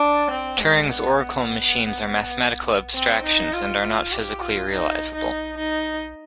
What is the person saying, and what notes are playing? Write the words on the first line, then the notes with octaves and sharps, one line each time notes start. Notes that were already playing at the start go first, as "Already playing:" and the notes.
Turing's oracle machines are mathematical abstractions, and are not physically realizable.
Already playing: D4
C4
G#3
B3
B3
C4
D#4
F4
F4
G4
F4
D#4
D#4
D#4